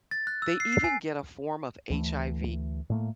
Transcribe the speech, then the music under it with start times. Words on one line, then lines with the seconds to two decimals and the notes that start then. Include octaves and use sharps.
They even get a form of HIV
0.11 A6
0.27 F#6
0.42 E6
0.60 C7
0.73 C7
0.84 G#5
1.90 D2 E3 A3
2.90 A2 A3 A#3